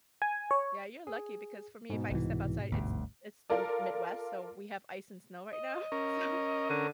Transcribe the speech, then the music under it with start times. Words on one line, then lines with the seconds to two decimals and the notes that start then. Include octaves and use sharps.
Yeah, you're lucky because for me if I step outside, it's it's the Mi Midwest, so we have ice and snow right now. So
0.22 G#5
0.51 C#5
1.07 G#4
1.90 G#2 B2
2.11 C2 E3
2.72 G1 D2
3.50 F4 A4 A#4 D5
5.53 D#5
5.92 C#4 A#4
6.70 D3